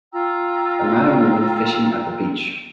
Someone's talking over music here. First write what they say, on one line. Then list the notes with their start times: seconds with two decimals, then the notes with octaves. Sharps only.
A man and woman fishing at the beach.
0.12 F4 G5 A#5 E6